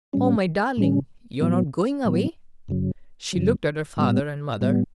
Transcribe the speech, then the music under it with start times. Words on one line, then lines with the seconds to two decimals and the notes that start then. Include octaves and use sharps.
"Oh, my darling, you're not going away!" She looked at her father and mother.
0.13 A2 G3 C#4
0.77 A2 G3 C#4
1.41 A2 F#3 B3
2.05 A2 F#3 B3
2.68 F#2 C#3 F#3
3.33 F#2 C#3 F#3
3.97 A2 G3 B3
4.61 A2 G3 B3